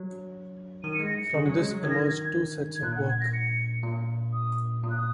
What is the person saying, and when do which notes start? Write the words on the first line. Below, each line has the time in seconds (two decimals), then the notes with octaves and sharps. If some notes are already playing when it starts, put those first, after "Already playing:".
From this emerged two sets of work.
Already playing: F#3
0.83 D#3 D#7
0.94 C#7
0.99 G#3
1.06 A#6
1.17 C#7
1.34 C#3
1.45 F#3
1.58 G#3
1.71 F#3
1.83 D#3 G#6
1.91 A#6
1.99 G#6
2.75 G#6
2.83 A#2 F#6
2.96 F#5
3.09 G#6
3.21 A#6
3.34 C#7
3.83 A#2
4.33 D#6
4.83 A#2 D#6
4.90 F#6
4.97 D#6